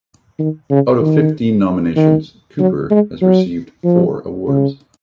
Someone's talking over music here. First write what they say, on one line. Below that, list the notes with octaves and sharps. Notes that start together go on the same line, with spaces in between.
Out of fifteen nominations, Cooper has received four awards.
D#3
C#3
D#3
D#3
F#3
G#3
F#3
F3
C#3